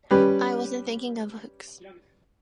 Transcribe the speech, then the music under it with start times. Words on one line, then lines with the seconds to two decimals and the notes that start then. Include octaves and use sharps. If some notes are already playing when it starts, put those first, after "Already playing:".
I wasn't thinking of hooks.
0.11 G3 C#4 G4 B4